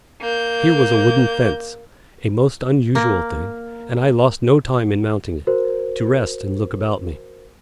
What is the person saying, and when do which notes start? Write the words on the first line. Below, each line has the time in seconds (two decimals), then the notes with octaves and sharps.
Here was a wooden fence,--a most unusual thing,--and I lost no time in mounting it, to rest and look about me.
0.21 A#3 G6
2.95 A#3
5.47 F#4 A#4 C5